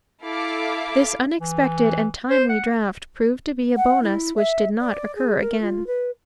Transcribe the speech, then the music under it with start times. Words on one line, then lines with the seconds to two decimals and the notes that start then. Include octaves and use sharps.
This unexpected and timely draft proved to be a bonus, which did not occur again.
0.22 E4 A4 F5 D6
1.40 E3
2.30 C5
2.49 F#5
3.76 F#5
4.03 E4
4.36 E5
4.80 D5
5.15 G#4
5.40 A#4
5.61 F4
5.86 B4